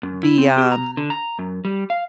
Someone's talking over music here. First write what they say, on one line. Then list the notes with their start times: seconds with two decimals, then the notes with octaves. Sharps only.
the, um
0.03 F#2
0.23 E4
0.38 C4
0.58 G4
0.72 A#5
0.97 D3
1.10 A#5
1.39 F#2
1.65 G3
1.90 F5